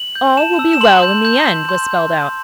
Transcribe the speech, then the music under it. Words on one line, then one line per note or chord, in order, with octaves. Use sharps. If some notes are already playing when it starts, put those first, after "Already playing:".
"All will be well in the end," was spelled out.
Already playing: F#7
G6
A5 E7
E6
E7
C6 F#7
G6
G6
G6
C6 G6
G6
G6